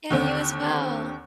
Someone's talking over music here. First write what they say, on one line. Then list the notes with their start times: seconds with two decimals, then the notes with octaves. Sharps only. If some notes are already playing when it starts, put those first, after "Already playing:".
Yeah, you as well.
0.10 D#2 D3 C4